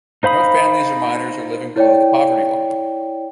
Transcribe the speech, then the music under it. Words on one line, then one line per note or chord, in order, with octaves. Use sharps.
No families or minors are living below the poverty line.
D#4 C5 F5 B5 D#6
E4 C#5 D5 G5